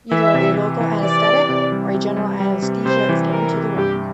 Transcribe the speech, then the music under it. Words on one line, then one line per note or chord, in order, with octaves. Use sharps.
Either a local anesthetic or general anesthesia is given to the woman.
E3 E5
C3
E3
E3
E3 D5
E3
C3
G3
C3
G3
G3
C3
C3 C5
E3
C3 A#4
C3
G2 G4